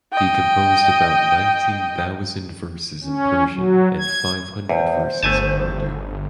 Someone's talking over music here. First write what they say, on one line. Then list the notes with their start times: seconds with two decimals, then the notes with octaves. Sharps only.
He composed about nineteen thousands verses in Persian and five hundred verses in Urdu.
0.13 D#5 G5
3.04 C#4
3.51 F#3
3.98 G#6
4.69 E2 C5
5.23 G1 A3 G#5 A5